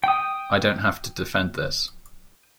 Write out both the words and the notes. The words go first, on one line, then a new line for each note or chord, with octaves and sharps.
I don't have to defend this.
G5 D#6